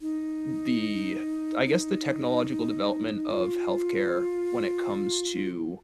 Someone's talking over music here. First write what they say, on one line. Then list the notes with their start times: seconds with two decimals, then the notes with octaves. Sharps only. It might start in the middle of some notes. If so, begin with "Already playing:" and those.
the I guess, the technological development of health care when it comes to
0.01 D#4
1.66 D#4
3.31 F4